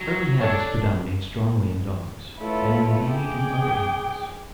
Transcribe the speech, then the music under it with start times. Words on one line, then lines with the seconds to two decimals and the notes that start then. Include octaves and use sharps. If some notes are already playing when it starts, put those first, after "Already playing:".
Early habits predominate strongly in dogs, and indeed in other animals.
0.01 F#3
0.41 D4 A4 C#5 D5
2.38 A3 E4 F4 A4 B4 C#5
3.10 G#4 G5 D6